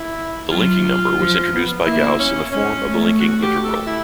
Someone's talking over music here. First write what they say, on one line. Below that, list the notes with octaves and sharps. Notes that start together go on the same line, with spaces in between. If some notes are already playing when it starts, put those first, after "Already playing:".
The linking number was introduced by Gauss in the form of the linking integral.
Already playing: E4
F#3 F4
F3
B3
A#3 E4
C#4
G#3 C#4
A3
F#4
G4
A4
E4